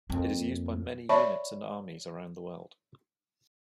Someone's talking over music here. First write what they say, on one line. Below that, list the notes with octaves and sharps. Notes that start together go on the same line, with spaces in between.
It is used by many units and armies around the world.
F2 A#3
C#5 D5 E5 A5 B5 C#6